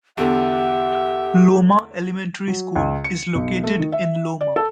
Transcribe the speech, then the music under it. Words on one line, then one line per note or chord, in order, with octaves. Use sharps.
Loma Elementary School is located in Loma.
E2 D3 G4 E5 F#5
F#3
C#2
C#7
B1
A3
D#3
E5
D5
A4